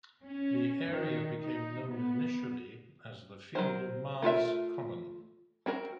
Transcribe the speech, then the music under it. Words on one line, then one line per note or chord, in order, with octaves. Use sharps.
The area became known initially as the Field of Mars Common.
C#4
D#3
D#4
B3
F#3 A#4 C5
A3 F4 A#4 E5
C4 F#4 A#4